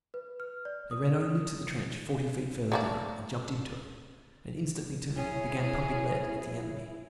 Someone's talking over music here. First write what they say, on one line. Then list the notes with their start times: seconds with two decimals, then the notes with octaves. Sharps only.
They ran only to the trench forty feet farther down and jumped into it, and instantly turning, began pumping lead at the enemy.
0.14 B4
0.40 F6
0.65 D5
0.91 D#6
1.21 D#6
2.72 A3 A#3 D4
5.16 C#4 E4 G#4 C#5